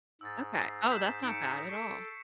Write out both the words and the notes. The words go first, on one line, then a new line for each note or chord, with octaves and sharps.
Okay, oh, that's not bad at all.
G#2 E6 A6
C7
G6 B6 E7
G#2 D#4 C#7 D7
A4 C#6 B6 C7